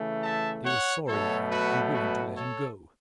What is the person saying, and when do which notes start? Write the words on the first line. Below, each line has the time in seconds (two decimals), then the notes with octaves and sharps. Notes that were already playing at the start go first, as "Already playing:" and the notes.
They were sorry and unwilling to let him go.
Already playing: C#3 E3 A3
0.23 E5 A5
0.65 C#5 F#5
1.08 B2 F#3 A3 A4 C#5
1.51 F#4 B4
1.94 F#4 B4
2.37 A4 C#5